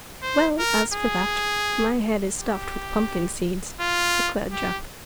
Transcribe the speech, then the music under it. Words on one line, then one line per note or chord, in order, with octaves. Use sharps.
"Well, as for that, my head is stuffed with pumpkin-seeds," declared Jack.
C5
A#4
G#4
G4
F4
G4